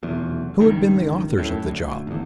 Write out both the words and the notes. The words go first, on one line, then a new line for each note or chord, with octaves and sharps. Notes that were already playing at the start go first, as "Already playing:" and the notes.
Who had been the authors of the job?
F1 B1 E2
C#2 G2 D#3
F#2 A2
D2
G#1 E2